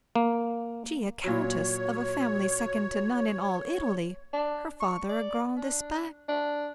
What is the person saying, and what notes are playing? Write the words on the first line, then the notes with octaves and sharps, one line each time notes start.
She, a Countess, of a family second to none in all Italy; her father a Grand d'Espagne.
A#3
A#2 F#3 C#5
D4
C#6
D5
D4
D4